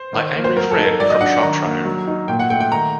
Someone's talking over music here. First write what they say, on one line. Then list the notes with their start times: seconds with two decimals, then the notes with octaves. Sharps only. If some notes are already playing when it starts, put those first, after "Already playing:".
My angry friend from Shropshire!
Already playing: C5
0.13 D#3
0.35 A#3
0.44 C5
0.56 F#3 A#4
0.71 A4
0.78 D#4
0.86 A#4
1.00 F#3 D5
1.10 D#5
1.21 D4 F#5
1.42 D#3 A#5
1.64 A#3
1.85 F#3
2.08 D#4
2.28 A#2 G5
2.40 F#5
2.50 A3 G5
2.61 G5
2.72 D#3 A#5